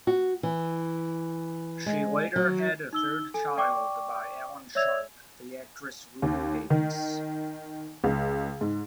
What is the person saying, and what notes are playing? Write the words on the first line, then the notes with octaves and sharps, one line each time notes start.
She later had a third child by Alan Sharp, the actress Rudi Davies.
F#4
E3
G#3
F#3
D#4 E6 G7
A4 G#5
D5 G5 C#6 D6
C#5 D5 E5 E6 G#6 F7
D#2
D#3
C#2
G#2